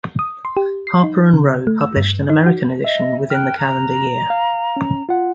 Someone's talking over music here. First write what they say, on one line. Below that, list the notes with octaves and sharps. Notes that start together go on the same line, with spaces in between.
Harper and Row published an American edition within the calendar year.
D#6
C6
G4
C7
D#4
C#3
A3
E6
G2
D#4
F#4
D#5 E5
G5 F6 F#6
A#5
F5
C#4
F4 F#5